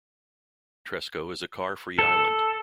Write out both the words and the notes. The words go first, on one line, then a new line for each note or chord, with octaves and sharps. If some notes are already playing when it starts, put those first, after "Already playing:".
Tresco is a car-free island.
A4